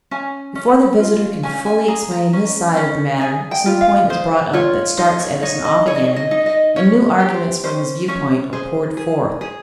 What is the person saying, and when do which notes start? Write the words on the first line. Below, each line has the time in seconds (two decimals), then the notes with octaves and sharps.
Before the visitor can fully explain his side of the matter some point is brought up that starts Edison off again, and new arguments from his viewpoint are poured forth.
0.11 C#4 G#5
0.55 C#4
1.00 F4
1.43 C#4 G#5
1.66 G#5
1.88 G#4 A#5
2.11 A#5
2.33 C#4
2.76 C#4
3.21 G#4 G#5
3.51 G5
3.66 F4
3.81 F5
4.10 G#4 C5
4.53 F4 C#5
4.98 D#4 C5
5.20 C#5
5.43 D#4 C#5
5.65 D#5
5.86 G#4 C#5
5.96 D#5
6.04 C#5
6.16 D#5
6.31 D#4
6.46 D#5
6.76 C#4 C#5
7.20 G4
7.34 C5
7.64 C#4 C5
8.08 C#4 C#5
8.53 G#4 C5
8.97 G#4
9.41 G#4